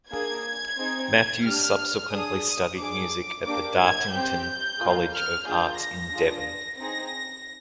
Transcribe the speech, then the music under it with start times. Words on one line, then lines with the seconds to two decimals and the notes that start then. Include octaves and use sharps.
Matthews subsequently studied music at the Dartington College of Arts in Devon.
0.10 A#3 D4 G#4 G#6
0.78 C4 D#4 G#4
1.11 G#6
1.44 D4 G4 F6
2.11 D4 G#4 D#6
2.78 D4 G#4 D6
3.45 A#3 D4 G4 D6
3.79 G#6
4.11 C4 G4 G6
4.78 A#3 F4 G#4
5.12 F6
5.45 A#3 D4 F4 G#4 G6
5.78 A#6
6.12 D4 F4 G#4
6.79 C4 D#4 G#4 A#6